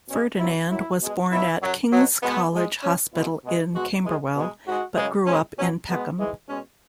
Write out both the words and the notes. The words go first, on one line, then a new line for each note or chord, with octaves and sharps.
Ferdinand was born at King's College Hospital in Camberwell, but grew up in Peckham.
B2 G#3 C#4
B2 F#3 E4
F#2 F#3 E4
B2 G#3
B2 F#3 E4
F#2 F#3
B2 F#3
B2 G#3 B3
G#2 G#3
F#2 F#3 C#4
B2 G#3 E4
B2 G#3
B2 G#3 F#4
F#2 E3 G#3
B2 G#3
G#2 G#3 F#4
F#2 C#3 G#3
B2 G#3 C#4
B2 F#3 C#4
B2 G#3 B3
G#2 E3 G#3
B2 G#3 C#4